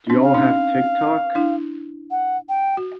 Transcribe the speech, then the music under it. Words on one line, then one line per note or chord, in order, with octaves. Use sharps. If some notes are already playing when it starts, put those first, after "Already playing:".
Do y'all have TikTok?
C4 D4
F5
C#4 D#4
D4 E4
F#5
G5
F#4